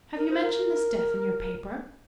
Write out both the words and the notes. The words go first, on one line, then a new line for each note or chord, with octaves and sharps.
"Have you mentioned this death in your paper?"
A#4
C5
A#4